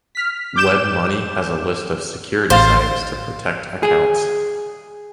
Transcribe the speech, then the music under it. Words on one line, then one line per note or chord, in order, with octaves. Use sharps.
WebMoney has a list of security settings to protect accounts.
F6 B6
D6 G6 E7
A1 C5 F5 A6
G#4